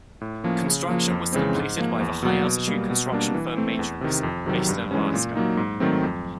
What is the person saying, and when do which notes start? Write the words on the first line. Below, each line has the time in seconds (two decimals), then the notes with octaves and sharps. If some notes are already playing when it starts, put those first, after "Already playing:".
Construction was completed by the high-altitude construction firm Matrix, based in Alaska.
0.21 A2
0.44 F3 A#3 C#4
0.66 C#3
0.89 F3 A#3
1.10 F2
1.33 C#3 E3 G#3 C4
1.55 G#2
1.77 F3 A#3
2.00 E2
2.23 B2 F#3 A#3
2.44 B2
2.67 G3 A#3
2.90 B2
3.12 G3 A#3 D4
3.34 E3
3.57 A3 C4
3.79 E2
4.01 C3 D#3
4.23 F2
4.46 C3 D#3 F#3
4.69 G2
4.91 E3 G#3 C#4
5.14 A#2
5.35 F#3 A#3 D#4
5.57 G#2
5.80 D#3 F#3 A3 C4
6.03 F2